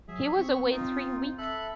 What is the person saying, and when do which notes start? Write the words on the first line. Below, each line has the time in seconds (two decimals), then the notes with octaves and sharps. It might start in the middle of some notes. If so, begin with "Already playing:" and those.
He was away three weeks.
0.08 F#3 G#4 E5
0.38 C4 C#6
0.71 D#4 F4
1.38 A4 E5 B5 F#6